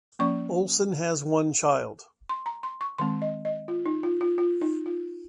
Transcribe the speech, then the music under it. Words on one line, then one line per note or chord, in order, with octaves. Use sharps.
Olson has one child.
F3 A#3 C#4 C#6
C6
A#5
C6
C#6
D#3 G#3 C4 C6
D#5
D#5
F4
D#4
F4
F4
F4
D#4
F4